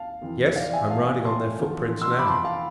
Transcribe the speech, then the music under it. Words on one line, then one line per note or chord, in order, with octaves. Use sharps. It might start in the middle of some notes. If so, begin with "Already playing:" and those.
"Yes, I'm riding on their footprints now."
Already playing: F5 A5
F2 E3
D5 F5
E5 G#5
F5 A5
A5 C6
E2 D3 F3
C6 E6
B5 D6
A5 C6
F5 A5